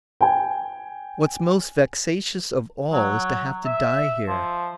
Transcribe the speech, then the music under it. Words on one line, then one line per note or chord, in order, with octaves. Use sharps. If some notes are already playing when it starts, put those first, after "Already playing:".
What's most vexatious of all is to have to die here.
G5 G#5
F#3
E5
F3